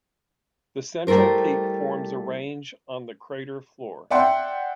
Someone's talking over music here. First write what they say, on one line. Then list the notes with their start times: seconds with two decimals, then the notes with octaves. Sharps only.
The central peak forms a range on the crater floor.
1.07 G3 A3 E4 A#4 C5
4.11 D5 E5 F#5 G5 C6